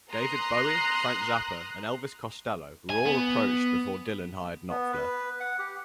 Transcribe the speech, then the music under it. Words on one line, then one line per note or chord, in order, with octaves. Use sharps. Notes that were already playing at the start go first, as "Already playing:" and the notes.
David Bowie, Frank Zappa, and Elvis Costello were all approached before Dylan hired Knopfler.
A#5 C6 D#6 F#6
G#5
B3
B3
B4
F#5
G4